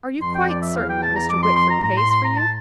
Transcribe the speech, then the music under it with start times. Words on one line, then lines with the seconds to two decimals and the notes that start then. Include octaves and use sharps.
"Are you quite certain that Mr. Whitford pays for you."
0.22 F2 C6
0.35 G5
0.49 D5
0.62 E5
0.76 E2 F5
0.90 G5
1.03 A5
1.16 A#5
1.30 F2 D6
1.43 C6
1.56 C6
1.70 A#5
1.83 A2 A#5
1.97 C6
2.10 C6
2.24 A#5
2.37 A5